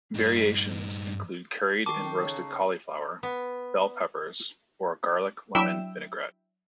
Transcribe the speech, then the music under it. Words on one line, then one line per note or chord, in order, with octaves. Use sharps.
Variations include curried and roasted cauliflower, bell peppers, or a garlic lemon vinaigrette.
G2 D#4
D#3 A5 C#6 D6 C7
D#4 A4 G5
C#3 D#4
B3
F#3 D4 E4 E5 G5 E7